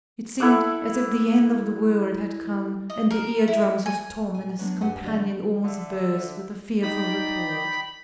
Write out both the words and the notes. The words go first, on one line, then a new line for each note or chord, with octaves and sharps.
It seemed as if the end of the world had come, and the ear drums of Tom and his companion almost burst with the fearful report.
E4 A4 F#5 D6
D#5
A#4
E4
G#5
A#2 G#5
F#3 G#3 B3 C#4 D4
G2 G4 C5 D#5 F#5 G#5
F2 D3 F#3 G4 G#4 D#5
D3 E5
D#4 D5 D#5 G5 B5